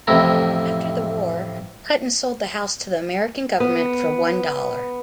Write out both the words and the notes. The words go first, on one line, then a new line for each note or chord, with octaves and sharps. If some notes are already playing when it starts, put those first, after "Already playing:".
After the war, Hutton sold the house to the American government for one dollar.
A1 F2 A2 C3 E4 A#5
B3